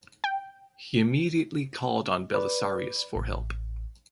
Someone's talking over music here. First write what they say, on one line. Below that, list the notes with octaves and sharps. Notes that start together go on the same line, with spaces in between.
He immediately called on Belisarius for help.
G5
B4 D5
A1